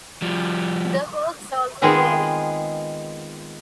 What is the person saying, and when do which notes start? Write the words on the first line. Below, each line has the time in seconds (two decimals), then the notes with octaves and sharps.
The hooks also vary.
0.22 F3 G3
1.82 D#3 G#3 B3 C4 F4 G#4